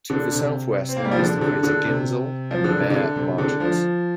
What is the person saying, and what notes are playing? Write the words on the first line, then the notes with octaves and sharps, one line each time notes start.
To the southwest lies the crater Ginzel and Mare Marginis.
D3
C3
C4
A#3
G3
F3
D3
C3
D3
D3
C3
F3
D3
C3
D3
C3
D3
F3